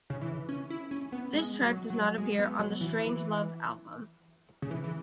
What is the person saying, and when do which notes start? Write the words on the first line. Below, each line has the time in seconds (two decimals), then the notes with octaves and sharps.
This track does not appear on the "Strangelove" album.
0.10 C#3
0.22 E3
0.49 C#4
0.70 E4
0.91 C#4
1.12 B3
1.33 G#3
1.62 F#3
1.90 F#3
2.18 G#3
2.39 B3
2.59 F#3
2.81 E3
4.62 C#3
4.71 E3
4.84 E3